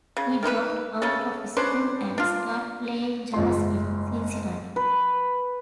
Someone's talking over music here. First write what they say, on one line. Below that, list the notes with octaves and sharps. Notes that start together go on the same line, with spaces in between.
He dropped out of school and started playing jazz in Cincinnati.
C#3
D#3 D#4 E4 B4
C#3 A3 C#4 A4
C#4 D4 B4 C5
D4 F4
F#1 G#2 F3 C6
B4